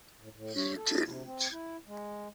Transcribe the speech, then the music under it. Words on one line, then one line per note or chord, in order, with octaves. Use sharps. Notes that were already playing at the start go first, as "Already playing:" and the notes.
He didn't!
A2
A2
C#5
A4
C3
C4
E4
G#3